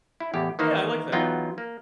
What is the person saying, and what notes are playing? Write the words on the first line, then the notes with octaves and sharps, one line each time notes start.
Yeah, I like that.
E4
E2 A2 G4
D#3 E3 A#3 D#4 C5
E2 F#3 B3 D#4 F4 G5
A#3